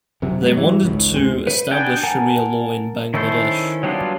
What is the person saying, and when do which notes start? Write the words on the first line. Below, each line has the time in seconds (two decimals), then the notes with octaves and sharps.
They wanted to establish sharia law in Bangladesh.
0.22 F#1 F#2 C3 F#3
0.42 F#3 G#3 B3
0.57 G#2 E3 F#3
0.85 G#1 C#2
1.14 D#2 G#3 C4
1.47 B4
1.71 B3 D4 G5 G#5 G6
2.03 A#4 F#5 G#5 A5
3.14 D#3 C#4 E4 A4 C5
3.83 F#3 G3 B3 D4 F4